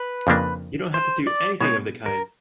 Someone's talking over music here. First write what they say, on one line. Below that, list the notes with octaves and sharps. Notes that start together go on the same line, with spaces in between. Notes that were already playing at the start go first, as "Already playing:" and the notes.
You don't have to do anything of the kind!
Already playing: B4
F2 C#3 F3 A#3 D4
C5
D5
B2 G#3 B3 D#4 C#5
A#4